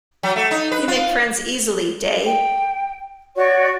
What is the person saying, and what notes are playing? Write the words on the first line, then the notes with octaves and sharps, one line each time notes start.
You make friends easily, Day.
F#3
A3
D#4
B4
F4
G5
F#4 C#5 D5 C#6